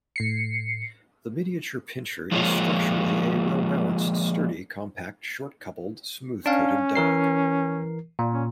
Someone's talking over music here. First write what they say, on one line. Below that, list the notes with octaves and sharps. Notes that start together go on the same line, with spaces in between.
The Miniature Pinscher is structurally a well balanced, sturdy, compact, short-coupled, smooth-coated dog.
A2 C7 C#7
F3 G#3 A#3 F4 C#5
C#4 D4 F5
E3 A#4 C7
A#2
C#4